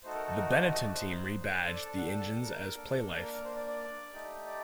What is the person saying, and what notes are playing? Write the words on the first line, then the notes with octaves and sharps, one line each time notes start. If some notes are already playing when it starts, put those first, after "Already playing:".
The Benetton team rebadged the engines as Playlife.
A3 D#4 F#4 A4 C5
A#4
A4
A#4
D5
C5
D#5
D5
C5
D4 A4
C5
D5
A5
F#5
G5
A5
G5
A#4
A#3 D4 A4
A4
A#4
A#4
C5
D5
D5
A3 D#4 G4
D5